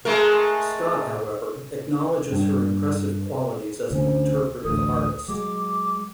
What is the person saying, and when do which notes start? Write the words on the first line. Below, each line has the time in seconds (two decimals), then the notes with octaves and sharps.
Scott, however, acknowledges her impressive qualities as an interpretive artist.
0.05 G#3 A3 A#4
2.32 G2
3.90 D2 D3 C#4 C5
4.65 A1 D2 D#6
5.28 F#3 G#3 D6